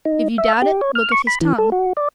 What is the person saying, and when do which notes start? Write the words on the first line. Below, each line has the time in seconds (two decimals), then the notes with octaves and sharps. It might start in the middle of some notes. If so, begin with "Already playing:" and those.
If you doubt it, look at his tongue.
0.05 D#4
0.38 E5
0.62 G4
0.81 C#5
0.95 F6
1.12 C#6
1.27 B5
1.41 E3
1.58 A4
1.72 F#4
1.97 D5